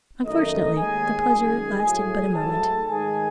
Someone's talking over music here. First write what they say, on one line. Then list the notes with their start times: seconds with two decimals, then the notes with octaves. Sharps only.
Unfortunately the pleasure lasted but a moment.
0.25 F#2 D#3 A3 D#4 D#5
0.77 D#2 D#3 G#3 G#4 G#5
1.29 F#2 D#3 G#3 G#4 G#5
1.82 A2 F#3 A3 G#4 G#5
2.34 G#2 F#3 A3 A4 A5
2.86 G#2 D#3 G#3 G#4 G#5